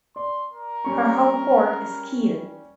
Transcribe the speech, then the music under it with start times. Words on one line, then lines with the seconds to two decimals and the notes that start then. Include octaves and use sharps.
Her home port is Kiel.
0.16 D5 C6
0.53 A#4
0.84 G3 C#4 C#6